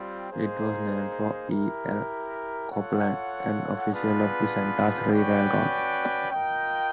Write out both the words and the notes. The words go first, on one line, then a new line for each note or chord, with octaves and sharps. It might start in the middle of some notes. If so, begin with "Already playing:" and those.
It was named for E. L. Copeland, an official of the Santa Fe Railroad.
Already playing: G3 C4 F4
A#3 D#4 G#4 C5
E4 G4 A#4
F4 A4 C#5 F#5
B3 D4 F4 G#4 B4
C#4 F#4 B4 D5 G5
F4 A#4 D#5 G5